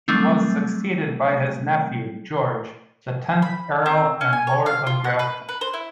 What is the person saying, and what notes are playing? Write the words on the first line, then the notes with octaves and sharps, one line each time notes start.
He was succeeded by his nephew, George, the tenth Earl and Lord of Grafton.
F#3 G3 A3 C4
B5
C4
C#4
G#5
C#5
F5
F4
F#5
B4
B4
C5
E4